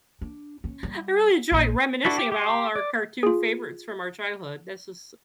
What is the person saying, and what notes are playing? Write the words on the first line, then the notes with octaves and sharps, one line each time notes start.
I really enjoy reminiscing about all our cartoon favorites from our childhood. This is
D4
C#4
G3
A#1
D4 E4 F#4 A4 B4
G4
G4 C6
D5
F4 G#4